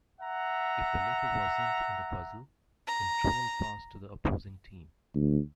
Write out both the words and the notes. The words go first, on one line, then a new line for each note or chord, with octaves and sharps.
If the letter wasn't in the puzzle, control passed to the opposing team.
E5 F#5 A#5
A#5
D2